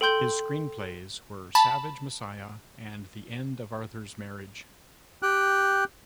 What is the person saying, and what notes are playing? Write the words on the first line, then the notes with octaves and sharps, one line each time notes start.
His screenplays were "Savage Messiah" and "The End of Arthur's Marriage".
A4 G5 C6 G6 G7
A5 B5
G4 G5 F#6